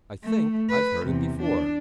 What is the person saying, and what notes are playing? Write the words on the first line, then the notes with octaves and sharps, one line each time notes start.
I think I've heard it before.
A3
B4
E2 C3
D4